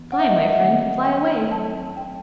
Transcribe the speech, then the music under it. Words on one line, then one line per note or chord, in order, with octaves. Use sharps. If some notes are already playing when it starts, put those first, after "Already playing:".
Fly, my friend; fly away.
Already playing: E3 B3
F#5
E5
D#5
E5
E5
D#3 A3 C4 F#5
G5
F#3 A3 C4 A5
G5